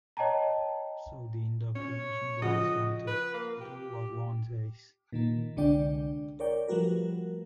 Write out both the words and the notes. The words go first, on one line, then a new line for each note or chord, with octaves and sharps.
So the indoctrination boils down to: Do what Ron says!
C#5 D#5 G5 A5 A#5
C#4 C#5
C#3 F3 F#4 D#5
B4
A#3
G4
A#2 D#3 A#3
C2 D3 G#3 D4 D5 G5
A#4 C#5 D5 G5
F3 G3 A3 F#4 A#4 B4